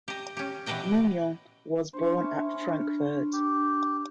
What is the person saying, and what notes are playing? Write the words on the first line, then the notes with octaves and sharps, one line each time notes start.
Mignon was born at Frankfurt.
G4 D#5
C#4 G4
B2 E3 G4 B4 D#5 G5
D4 C5 C#6
C#4 D4 E4 A5
C#4 D4
G4